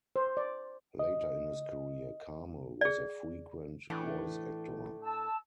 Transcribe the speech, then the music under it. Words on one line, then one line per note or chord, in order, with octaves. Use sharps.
Later in his career, Carmel was a frequent voice actor.
C5
D5
D#5
G#4 D5
A2 E3 A3 D4
A5 E6